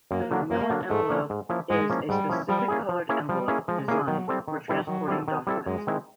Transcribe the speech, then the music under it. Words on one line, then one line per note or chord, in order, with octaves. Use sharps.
The manila envelope is a specific colored envelope designed for transporting documents.
F#2 A#3
D3 F#3 A#3 D4
F#2 A#3
D3 F#3 A#3 D4
G#2 A3
F3 A#3 C#4 E4
G#2
F3 A#3 C#4 E4
G#2 G#3
F3 A#3 C#4 E4
G#2 G3
F3 A#3 C#4 E4
F3 G3
A#3 C#4 E4 G#4
F3
A#3 C#4 E4 G#4
F3 G3
A#3 C#4 E4 G#4
F3 G#3
A#3 C#4 E4 G#4
D#3 F#3
G3 C4 E4 A4
D#3
G3 C4 E4 A4
D#3 F#3
G3 C4 E4 A4
D#3
G3 C4 E4 A4
F#2 G#3
D#3 G#3 C4 E4